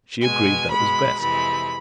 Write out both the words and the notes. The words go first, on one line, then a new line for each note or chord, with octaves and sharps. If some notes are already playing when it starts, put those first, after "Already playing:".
She agreed that was best.
B2 G#3 G#5
B2 G#3 B5
F2 C3 E3 G#3 B5